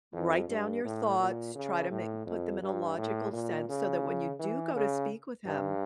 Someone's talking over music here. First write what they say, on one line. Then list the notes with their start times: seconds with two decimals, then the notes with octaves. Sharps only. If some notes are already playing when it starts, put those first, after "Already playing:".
Write down your thoughts, try to ma put them in a logical sense, so that when you do go to speak with him,
0.13 F2
0.48 G2
0.84 A2
1.19 A#2
1.55 C#3
1.91 A2
2.26 F2
2.62 G2
2.98 A2
3.33 A#2
3.69 C#3
4.39 E3
4.75 C#3
5.46 G2